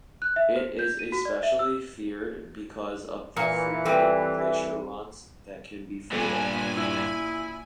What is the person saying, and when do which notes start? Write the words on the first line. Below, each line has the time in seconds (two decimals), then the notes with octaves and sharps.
It is especially feared because of the frequent glacier runs that can be fatal.
0.22 F#6
0.36 E5
0.56 C5
0.79 G6
0.99 D#7
1.12 F#4
1.25 D5
1.43 E5
1.59 E6
3.37 A#2 E3 F5 A#5 C#7
3.85 G3 C4 A4 B4 E5
6.12 G2 A#2 D3 G#5
6.78 E4